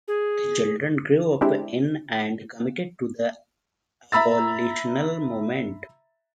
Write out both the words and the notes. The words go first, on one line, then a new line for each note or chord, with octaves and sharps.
The children grew up in and committed to the abolitional movement.
G#4
G#3 C4 D4 E4 G4
E5 A#5 B5 E6 A6